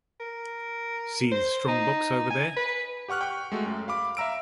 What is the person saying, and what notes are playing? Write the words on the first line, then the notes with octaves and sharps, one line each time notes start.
See the strong-box over there?
A#4
C5
D#4
G#5
B4
G4 F#5 C#6 F6 F#6
G5 C#6
G#3 A3 F#4
F#2
F5 B5 D6
E5 F5 A#5 E6 D7